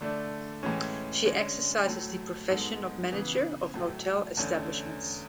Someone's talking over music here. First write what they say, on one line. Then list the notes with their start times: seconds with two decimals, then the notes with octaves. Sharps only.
She exercises the profession of manager of hotel establishments.
0.01 D3 A3 D4
0.63 A2 E3 G#3 C#4
1.25 D3 G#3 C#4
1.87 A2 F#3 A3
2.50 G#2 G#3 B3 F#4 A4
3.12 C#3 E3 B3
3.74 A2 F#3 A3
4.37 E2 D3 A3 C#4